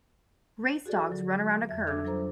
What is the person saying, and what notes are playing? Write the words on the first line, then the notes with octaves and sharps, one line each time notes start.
Race dogs run around a curve.
F#4 G#4 A4 D5
D3 F#3
F2 E5
D4 A4 E5 D6 E6 G#6
F#3 G3 F4 A4 C5 A#5